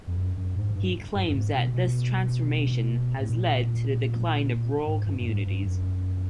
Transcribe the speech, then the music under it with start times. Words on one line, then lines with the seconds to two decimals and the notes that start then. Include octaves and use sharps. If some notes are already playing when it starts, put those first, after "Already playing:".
He claims that this transformation has led to the decline of rural communities.
0.07 F2
0.16 F#2
0.37 F#2
0.56 G#2
0.75 G2
1.15 G2
1.29 G2
1.34 G#2
1.54 B2
1.74 B2
3.20 A2
3.29 A#2
4.87 G#2
5.06 G2
5.21 G2
5.25 G#2
5.46 G2
5.65 F#2